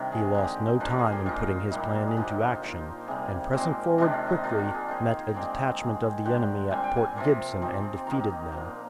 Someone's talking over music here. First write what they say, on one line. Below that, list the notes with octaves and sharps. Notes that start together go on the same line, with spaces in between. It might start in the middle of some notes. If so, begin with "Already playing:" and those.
He lost no time in putting his plan into action, and pressing forward quickly, met a detachment of the enemy at Port Gibson and defeated them.
Already playing: C3 D#3 G3 D4 A#4
G#4
D3 G#3 D#4 G4
F3 A#3 D4
A#4
G#4
G4
A#2 G#3 D#4 F4
A#2 G3 A#3 D4 D#4
G#4
D3 F3 A#3 D#4 G4
D#4
F4
F3 A#3 D#4 F4
C3 G3 A#3 G#4
A#2 G#3 C4 G4
C3 D#3 G#3 D4 G4
F4
D#4
D#3 A#3 D4 F4
F4
G#4
D#3 A#3 D#4 C5
D3 G#3 C4 D#4 D5
D#3 G#3 C4 D#5
D3 G#3 D4 G5
A#2 G3 C4 G#5
G5
G#5
C3 F3 A#3
F3 C4 D#4
D#3 A#3 D#4 A#5
A#2 F3 A#3 A#5